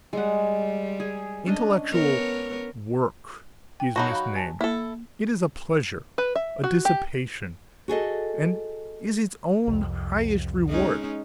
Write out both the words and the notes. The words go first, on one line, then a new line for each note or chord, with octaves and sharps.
Intellectual "work" is misnamed; it is a pleasure, a dissipation, and is its own highest reward.
G3 G#3 F#5
G#4
C#4 D4 D#5
B3 A#4 C#5
G5
F#3 D#4 F#4 A5 B5
F5 B5
G#5 A5
A#3 E4 A4
B4
E5
F#4
G4
F#4 G#4 A4 D#5
C2 F2
G#3 C#4 D#4